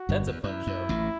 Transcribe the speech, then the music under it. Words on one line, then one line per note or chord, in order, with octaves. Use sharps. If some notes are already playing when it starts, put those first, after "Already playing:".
that's a fun show.
Already playing: F#4
G1 G2
E2
F#2 E4
F#2
A1 A2